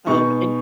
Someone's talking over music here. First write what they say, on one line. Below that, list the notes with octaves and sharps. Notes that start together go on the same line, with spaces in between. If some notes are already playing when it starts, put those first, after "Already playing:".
Um, and
B2 G#3 D#4 C#6